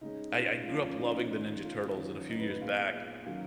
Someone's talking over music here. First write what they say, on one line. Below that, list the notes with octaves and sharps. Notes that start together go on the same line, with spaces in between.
I I grew up loving the Ninja Turtles, and a few years back,
C#3 G#3 C#4 D#4
F4
F3 A#3 C#4 F4
C#4
D#4
D#3 A#3 C#4
F4
D#3 F#3 C#4
D#4
B4
B4
A#2 G#3 B3 F5
D#3 F#3 A#3 C#4 F5